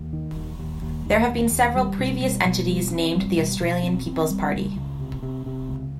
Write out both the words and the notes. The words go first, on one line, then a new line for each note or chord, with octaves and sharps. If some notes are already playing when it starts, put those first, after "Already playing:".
There have been several previous entities named The Australian People's Party.
Already playing: D#2
D#3
D#2
D#2
D#2
D#2
D#2
D#2
G3
B2
G3
B2
G3
C4
G3
B2
B2
C4
C4
G3
C#2
C#2
C3
C3
C3
C#2